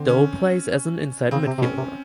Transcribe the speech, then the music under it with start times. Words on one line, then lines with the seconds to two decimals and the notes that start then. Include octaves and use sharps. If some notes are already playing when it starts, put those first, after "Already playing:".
Dow plays as an inside midfielder.
Already playing: D3 C4
0.09 C#4
1.31 C#3 C4
1.47 C3
1.58 C3
1.62 B2 C#4
1.77 C3